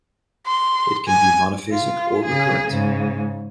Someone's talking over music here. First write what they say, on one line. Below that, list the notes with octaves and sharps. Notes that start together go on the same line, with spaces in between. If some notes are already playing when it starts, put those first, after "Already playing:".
It can be monophasic or recurrent.
C6
G#5
F4
C#3 G#4
G#2 C#3